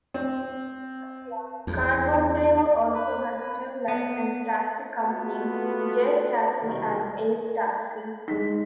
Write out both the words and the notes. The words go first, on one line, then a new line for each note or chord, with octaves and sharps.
Carbondale also has two licensed taxi companies, Jet Taxi and Ace Taxi.
C4
E2
B4
B3
A3 B3 F4 F#4 A4 B4
C2 F2 B2 D#3
G#3 D#4 B6